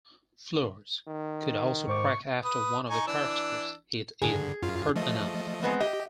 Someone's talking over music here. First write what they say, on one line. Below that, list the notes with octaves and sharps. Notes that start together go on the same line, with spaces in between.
Floors could also crack after one of the characters hit it hard enough.
D#3
G#2 C5 C#6 D6
B4 D#6
D#4 G#5 C#6
E3 D4 E6
G2 D3 G#4
F#2 F4
F3 A3 D#5
G#3 B3 C4
G4 D#5